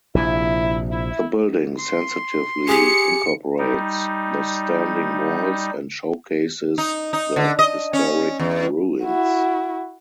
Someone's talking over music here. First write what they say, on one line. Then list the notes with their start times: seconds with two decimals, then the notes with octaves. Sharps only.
The building sensitively incorporates the standing walls and showcases the historic ruins.
0.15 A#1 C3 E4
0.91 E4
1.79 C6
2.68 G4 G#4 C#7
3.58 G3 D#4
6.78 D#4
7.13 D#4
7.36 D3
7.59 D#5
7.93 C#4
8.39 E2
9.03 E4 F#4